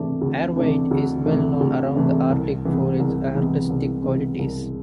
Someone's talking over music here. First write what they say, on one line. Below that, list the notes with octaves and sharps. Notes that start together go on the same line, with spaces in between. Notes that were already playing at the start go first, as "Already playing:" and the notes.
Arviat is well known around the Arctic for its artistic qualities.
Already playing: C3 E3 A3 D4
D2
C3 E3 A3 D4
D2
C3 E3 A3 D4
D2
C3 E3 A3 D4
C2
C3 E3 G#3 B3
C2
C3 E3 G#3 B3
C2
C3 E3 G#3 B3
C2